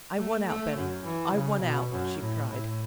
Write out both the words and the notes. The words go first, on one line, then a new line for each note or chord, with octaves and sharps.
"I won out, Bunny--I won out!" she cried.
A3
A3
F#2
E3
C#3
B2
F#2
A2
A2